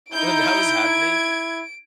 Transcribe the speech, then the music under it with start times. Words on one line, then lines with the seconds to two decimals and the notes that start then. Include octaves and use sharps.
when that was happening
0.12 D#4 E4 G6 D7
0.87 G#6